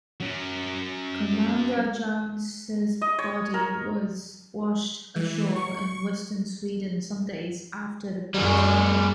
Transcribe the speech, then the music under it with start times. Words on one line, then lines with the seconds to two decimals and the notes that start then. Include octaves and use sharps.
Commander Jones' body was washed ashore in Western Sweden some days after the battle.
0.20 F#3 C#4
3.02 D#5
3.19 C#5
3.54 A#4
5.16 E3
5.55 C#6
8.35 F#2 F#3 G3 G#4